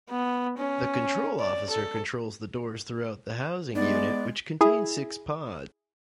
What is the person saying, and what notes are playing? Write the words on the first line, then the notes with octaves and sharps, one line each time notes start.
The control officer controls the doors throughout the housing unit, which contains six pods.
B3
C#4
D5
A4
G#3 B3 D#4 D5
E4 G#4